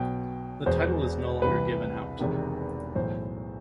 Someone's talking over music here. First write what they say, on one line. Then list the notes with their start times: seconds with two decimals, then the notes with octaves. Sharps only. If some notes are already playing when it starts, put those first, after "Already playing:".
The title is no longer given out.
Already playing: B1 B2 G5
0.66 E1 E2 B2 C5
1.42 C2 C3 E3 B4
2.19 E1 E2 C3 D#3
2.95 B1 A2 E3 C5